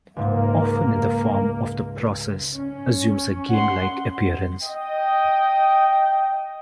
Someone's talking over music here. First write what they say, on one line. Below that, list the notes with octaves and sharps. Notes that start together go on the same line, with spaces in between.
Often in the form of the process assumes a game-like appearance.
C#2 G#2 A#3
C#4
F#5 C6
D#5 G5